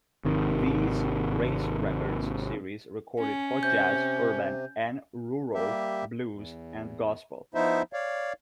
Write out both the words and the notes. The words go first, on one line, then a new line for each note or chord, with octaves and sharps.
These race records series recorded hot jazz, urban and rural blues, and gospel.
G#1 C3 D#3
C#4
C3 G6
G3 A#3 G4 E5
E2
F3 B3 D#4 E4 C5 E5
C#5 D5 F5